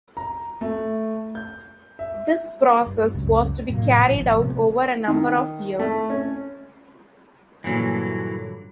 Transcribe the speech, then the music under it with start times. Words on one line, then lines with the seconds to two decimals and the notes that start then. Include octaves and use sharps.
This process was to be carried out over a number of years.
0.17 A#5
0.61 A3
1.35 G6
1.99 E5
2.86 G2
3.14 C#2 F#2
3.69 A2 C3 F#3 A#3
3.98 A#1 F3
4.12 G#1 F3
4.39 C3 A3 B3 C#4
5.08 D#3
5.79 A3
6.10 C#4
7.64 G2 A#2 D3 E3 F#3